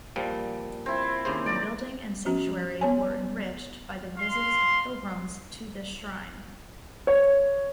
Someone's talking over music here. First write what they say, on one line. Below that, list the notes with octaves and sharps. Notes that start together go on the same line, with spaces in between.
The building and sanctuary were enriched by the visits of pilgrims to this shrine.
A#2 F3 G3
C4 E4
D#2 C#3 C5
D5 A#5
F3 C#4 F#4
B3 C#5 G#5
F5 C6
C#5